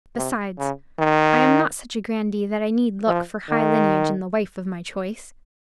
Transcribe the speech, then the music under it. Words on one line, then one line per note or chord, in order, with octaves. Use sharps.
Besides, I am not such a grandee that I need look for high lineage in the wife of my choice.
C3
C#3
D#3
F3
D#3